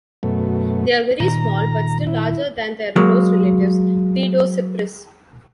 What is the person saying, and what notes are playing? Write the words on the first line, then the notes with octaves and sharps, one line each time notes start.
They are very small, but still larger than their close relatives "Paedocypris".
F#2 B2 A3
A#2 D#3 A#5
E4
F#3 G#3 A#3